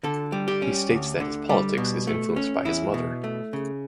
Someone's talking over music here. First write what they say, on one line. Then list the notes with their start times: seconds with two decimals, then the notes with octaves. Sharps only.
He states that his politics is influenced by his mother.
0.03 D3 A4
0.32 G3
0.48 G4
0.62 C#4
0.90 D2
1.20 D3
1.49 G3
1.78 B2
2.07 A3
2.36 C#4
2.65 E2 E4
2.94 B2
3.24 A3
3.53 C#3